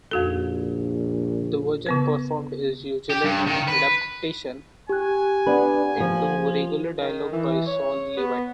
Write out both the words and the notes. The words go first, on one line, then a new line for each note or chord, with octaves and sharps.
The version performed is usually an adaptation into regular dialogue by Saul Levitt.
A#1 F2 F#4 A4
C#3 B3 B4
G4
G2
D#3
B4
G4 G#5 F#6
B3 D4 B4
F3 A#3
D#3
E3
C#5
B3